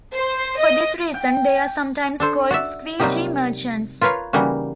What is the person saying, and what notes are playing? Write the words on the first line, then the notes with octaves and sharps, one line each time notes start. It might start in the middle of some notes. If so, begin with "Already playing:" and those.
For this reason, they are sometimes called squeegee merchants.
C5
D#5
G5
D4 A4 C5
F#4 D5 E5
C3 F#3 G3 A#3 D#4 G4
F4 A#4 B4 C#5 F5
C#3 E3 G3 A#3 D#4 F#4